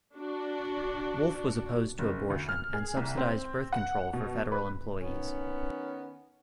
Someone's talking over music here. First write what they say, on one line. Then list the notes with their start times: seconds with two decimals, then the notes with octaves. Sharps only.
Wolf was opposed to abortion and subsidized birth control for federal employees.
0.16 D4 F#4
1.99 F#1
2.30 D2
2.49 F6
2.74 G#4
2.97 C2
3.18 C4
3.73 F#5
4.13 B2
4.52 B4
5.01 D#3 B3 C#4